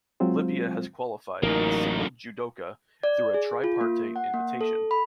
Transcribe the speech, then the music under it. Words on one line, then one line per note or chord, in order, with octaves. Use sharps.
Libya has qualified a single judoka through a tripartite invitation.
F#3 G#3 C4 F4 C5
A1 F#3 A#3 D#4 A#4
D5
G#4
F4
A#3
F#5
A#3
A4
B5